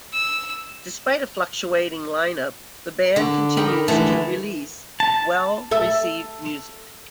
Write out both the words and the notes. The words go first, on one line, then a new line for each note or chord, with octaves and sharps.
Despite a fluctuating line-up, the band continues to release well-received music.
E6
D3
D#4 A#4 G5 B5
D3 E3 G#3 A3
A5
A4 E5